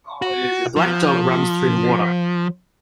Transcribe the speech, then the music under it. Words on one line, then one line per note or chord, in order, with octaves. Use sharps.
A black dog runs through the water.
F#4
F3